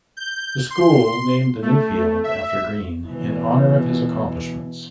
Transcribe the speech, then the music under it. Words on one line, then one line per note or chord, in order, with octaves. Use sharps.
The school named the new field after Green in honor of his accomplishments.
G6
C6
A3
E5
B2 E3